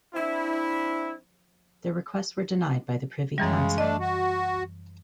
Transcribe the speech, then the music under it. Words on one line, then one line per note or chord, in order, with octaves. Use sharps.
Their requests were denied by the Privy Council.
C4 D4 E4
F#2 C#3 E3 G3 G#3
A3 D4 D#5
F#4